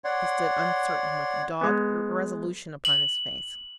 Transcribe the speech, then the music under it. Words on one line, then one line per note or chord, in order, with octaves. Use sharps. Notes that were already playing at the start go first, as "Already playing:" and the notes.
He stood uncertain, with dogged irresolution upon his face.
C#5 D5 F#5 C6
G#3 B3
F#7